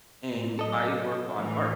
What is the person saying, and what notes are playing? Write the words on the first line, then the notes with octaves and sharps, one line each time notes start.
And I work on art.
A2 C4
F#3 A4 D#5
A2 E3